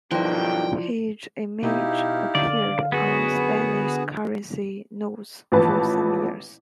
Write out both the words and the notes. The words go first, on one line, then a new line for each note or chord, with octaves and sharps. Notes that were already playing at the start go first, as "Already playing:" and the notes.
His image appeared on Spanish currency notes for some years.
B1 G2 D#3 F3 E4 F4 D5 G5
B2 D#4 E4 G4 F5
D3 D5
F#2 B3 F#4 G#4 B4
A1 A#2 F3 B4 A5 B5